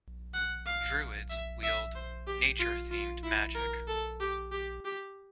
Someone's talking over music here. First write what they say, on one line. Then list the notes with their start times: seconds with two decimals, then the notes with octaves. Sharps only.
Druids wield nature-themed magic.
0.34 F#5
0.66 F5
1.30 E5
1.63 E5
1.95 C5
2.27 G4
2.60 F4
2.91 F4
3.23 E4
3.55 A#4
3.88 A4
4.20 G4
4.52 G4
4.85 G4